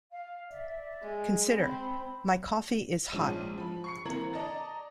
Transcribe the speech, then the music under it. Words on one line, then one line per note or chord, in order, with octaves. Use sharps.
Consider "My coffee is hot".
F5
D5 E5
G#3
C4 B5
A#1 G#2 F3 C#4 D#7
F3 B5
C#6 C7 C#7
E3 A#3 C4 A#5 G#6 F#7
D5 D#5 A5 A#5 A6